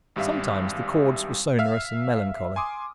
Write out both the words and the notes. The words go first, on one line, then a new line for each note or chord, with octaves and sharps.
Sometimes the chords were sonorous and melancholy.
G#1 G2 G3 E5 F5
E5 F5 F6
G#5 C6 D6 D#6